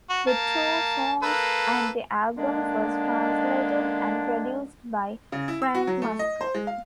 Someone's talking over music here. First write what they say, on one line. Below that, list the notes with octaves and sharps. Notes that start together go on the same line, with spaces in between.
The two songs and the album were translated and produced by Frank Musker.
F#4
A#3 A5
A#3 A4 B4
D3 D#3 G#3 A#3 D4
C#3
E4
E6
F#4
F#3
A3
D#5
C5
G#3
F5